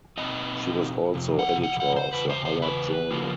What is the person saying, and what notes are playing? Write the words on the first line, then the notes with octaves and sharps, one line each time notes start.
She was also editor of the "Howard Journal".
B2 G3 C4 D#4 D#5
F2 C3
F#5
F#5
F#5
C5
E2 C#3 B4
C5
C5
B4
C#3 F3 A#3 C#4